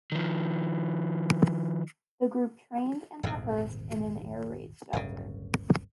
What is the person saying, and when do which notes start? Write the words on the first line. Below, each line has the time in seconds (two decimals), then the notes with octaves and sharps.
The group trained and rehearsed in an air raid shelter.
0.12 D#3 F3
3.23 D#1 G#1 E2 C3
4.93 D1 G1 C#3